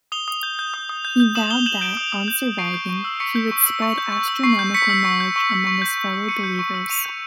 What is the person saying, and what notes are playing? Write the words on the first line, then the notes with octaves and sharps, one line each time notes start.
He vowed that, on surviving, he would spread astronomical knowledge among his fellow believers.
D#6 F7 G7
D#6
G6
G6
D#6
D#6
G6
G6
D#6 E7 F#7
D#6 F7 G7
G6 E7 F#7
G6 D7 E7
D#6
D#6
G6
G6
C#6 C7 D7
G6
C#6
E6
C#6 B6 C#7
G6
C#6
E6
C#6
G6
C#6
E6
C#6 C7
G6
C#6 B6 C#7
E6
C#6
G6
C#6
E6
C#6
G6
C#6
E6
C#6 C#7 D#7
G6
C#6
E6
C#6 D#7 F7
G6